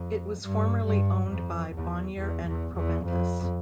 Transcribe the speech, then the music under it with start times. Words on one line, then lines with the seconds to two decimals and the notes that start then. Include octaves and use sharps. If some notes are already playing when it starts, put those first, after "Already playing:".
It was formerly owned by Bonnier and Proventus.
Already playing: F2
0.40 G2
0.85 G2
1.29 F2
1.73 E2
2.17 E2
2.47 E2
2.76 E2
3.05 F2